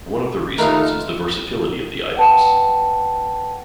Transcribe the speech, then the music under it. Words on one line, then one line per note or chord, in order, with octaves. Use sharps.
One of the reasons is the versatility of the items.
D#2 A3 D#4 F4 A#4 B4 F5
B4 F#5 G5 A5